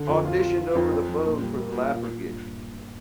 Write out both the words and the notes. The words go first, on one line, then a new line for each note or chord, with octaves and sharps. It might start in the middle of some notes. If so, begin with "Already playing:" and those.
au auditioned over the phone for the laugher gig,
Already playing: D3
F2
F4
F4
F4
F2
F2
F3
A#2
G3
A#3
A#2
A#2
A#2
G2